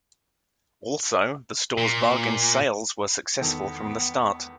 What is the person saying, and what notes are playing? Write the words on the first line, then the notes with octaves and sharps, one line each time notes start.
Also the store's bargain sales were successful from the start.
A#2
E2 D#3 B3 A4